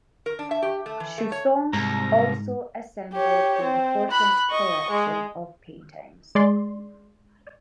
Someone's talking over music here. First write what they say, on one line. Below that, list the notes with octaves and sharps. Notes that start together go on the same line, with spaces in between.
Chausson also assembled an important collection of paintings.
A#4
D4
E5
G4
A3
E3
A3
C#5
C2 G#2 A#5
G4 C#5
C4
B5 F#6
D#5 C#6
G#3
G#3 D5 C6